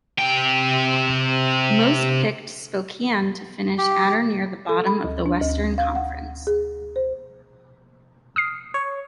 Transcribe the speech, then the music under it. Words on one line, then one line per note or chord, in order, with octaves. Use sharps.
Most picked Spokane to finish at or near the bottom of the Western Conference.
C3 G5
G4
A4
B5
D2
D4
D2
F5
F#5
G#4
C5
D#6 F6 C7
C#5